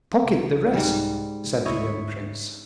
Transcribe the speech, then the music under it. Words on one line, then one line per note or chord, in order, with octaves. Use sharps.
"Pocket the rest," said the young prince.
C2
G#2 G3
B1
D2 G#2 E4 C#5 D#5